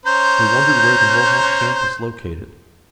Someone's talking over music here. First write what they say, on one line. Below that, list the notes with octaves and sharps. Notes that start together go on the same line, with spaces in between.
They wondered where the Mohawk camp was located.
C#4 C5 A#5 G6